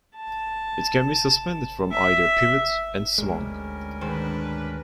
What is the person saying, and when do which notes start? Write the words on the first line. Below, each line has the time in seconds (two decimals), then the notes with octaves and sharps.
It can be suspended from either pivot and swung.
0.16 A5
1.92 E5
3.18 D2 G3 G#3 C#4 A#4
4.01 G#2 D#3 D4 B4 C5